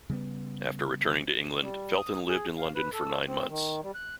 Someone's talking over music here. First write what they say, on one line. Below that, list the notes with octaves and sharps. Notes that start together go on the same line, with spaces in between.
After returning to England, Felton lived in London for nine months.
C#3 G3 A#3 B3
G3
D#6
G#4
F5
B4
A4
C4
D#3
G3
F#6